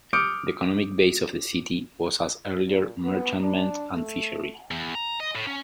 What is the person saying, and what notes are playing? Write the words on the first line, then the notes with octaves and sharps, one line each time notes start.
The economic base of the city was as earlier merchantmen and fishery.
D6 D#6 F6 G6 C#7 D7
A#2
B3
D4
A3
E2
A#5
D#5
A2
C#4